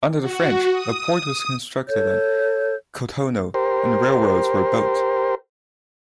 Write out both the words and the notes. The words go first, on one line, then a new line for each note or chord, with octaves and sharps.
Under the French, a port was constructed at Cotonou, and railroads were built.
F#4
D#6
A4 C#5 G6
G4 A#4 C5